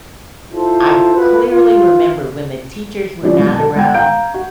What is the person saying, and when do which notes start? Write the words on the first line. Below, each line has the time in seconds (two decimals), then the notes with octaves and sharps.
I g clearly remember when the teachers were not around
0.52 E4 F4 A4 C5
1.15 F4 F#4 B4
1.50 F4
3.23 F3 G3 C4 C#4 E4 D5
3.39 B1
3.55 A4 A5
3.75 G1 F#5 G5 G#6
3.94 F5 G5 A#5 G6 D7
4.34 F#4